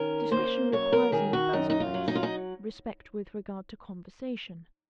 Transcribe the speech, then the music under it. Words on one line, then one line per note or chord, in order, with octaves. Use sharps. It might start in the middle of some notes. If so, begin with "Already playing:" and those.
Discretion requires in the first place, respect with regard to conversation.
Already playing: D#3 C#4 A#4
A#3 C5
F#2 C#5
A#4
D#3 G#4
F#4
F#2 D#4
D#4
F4
F#3
D#4
F4
D#4